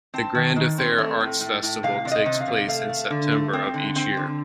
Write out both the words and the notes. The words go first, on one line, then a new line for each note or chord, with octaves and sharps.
The Grand Affair Arts Festival takes place in September of each year.
C4 A5
D#3
D#3
C4
A3
A2
A2
A2
C3 F5
C3 D5
D#5
C3
F5
C3
A3 F5
A3
D3
A3
C4
D3
C4
D3